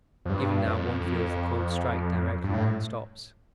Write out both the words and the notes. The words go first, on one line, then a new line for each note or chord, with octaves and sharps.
Even now one feels the cold strike directly one stops.
F2
G2
F2
F2
G2
A2